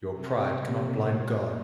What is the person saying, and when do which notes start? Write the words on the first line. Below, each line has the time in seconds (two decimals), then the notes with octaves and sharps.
Your pride cannot blind God!
0.14 C3
0.83 A#2